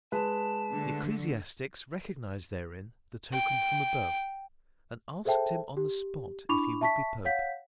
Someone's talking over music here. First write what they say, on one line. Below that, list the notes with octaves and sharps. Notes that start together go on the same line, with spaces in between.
The ecclesiastics recognized therein the token from above, and asked him on the spot if he would be pope.
G#3 B4 A5
D3 A3
G5
G#4 A4 C5 E5 G5 A5
G4
D4 E4 B5 C#6 D6 F7
E5 A5 C#6 B6
C#5 F5 F#5 G6 B6